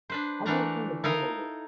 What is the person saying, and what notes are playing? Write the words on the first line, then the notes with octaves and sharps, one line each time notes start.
How do you think the table looks?
D4 B4 C5
E3 A3 D4 A#4 F#5 A#5
D#4 E4 A4 A#4 D#5 F5